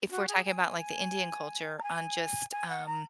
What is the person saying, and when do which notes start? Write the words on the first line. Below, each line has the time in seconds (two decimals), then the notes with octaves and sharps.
if we're talking about, like, the Indian culture on just, um,
0.10 F#4
0.28 G#4
0.44 G#5
1.78 A#5
1.83 G#5
2.51 G#5
2.69 F#5
2.86 A#5